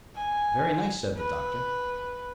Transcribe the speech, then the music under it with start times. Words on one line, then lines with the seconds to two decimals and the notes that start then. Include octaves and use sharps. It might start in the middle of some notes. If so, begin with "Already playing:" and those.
"Very nice," said the Doctor.
0.15 G#5
1.17 B4